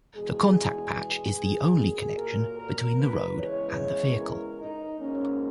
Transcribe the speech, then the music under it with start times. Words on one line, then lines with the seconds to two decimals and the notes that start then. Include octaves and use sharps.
The contact patch is the only connection between the road and the vehicle.
0.16 E2 B2 G#3 G#4
1.77 A#2 F#3 A#3 G#4
2.17 A#4
2.58 A#4
2.98 B4
3.38 E2 C#3 E3 G#3 C#5
4.19 A#4
4.59 D#4
4.99 G#2 F#3 A#3 C#4